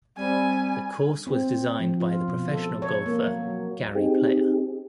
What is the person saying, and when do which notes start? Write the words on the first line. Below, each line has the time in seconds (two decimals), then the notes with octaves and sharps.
The course was designed by the professional golfer Gary Player.
0.18 G3 C4 G#5
1.27 C4
1.80 F3
2.00 F4
2.28 B2
2.51 A4
2.82 C#5
3.06 A#3
3.27 F#3
3.95 C4 D#4 G4 G#4